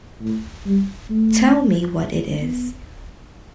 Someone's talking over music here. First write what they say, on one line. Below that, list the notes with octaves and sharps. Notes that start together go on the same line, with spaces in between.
Tell me what it is.
A2
G3
A3
B3